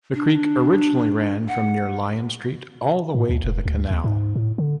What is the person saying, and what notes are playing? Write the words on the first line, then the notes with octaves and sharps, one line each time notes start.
The Creek originally ran from near Lyon Street all the way to the canal.
D4
F#5
A2
D2
E1
D2
D#2
G#2
A2
D3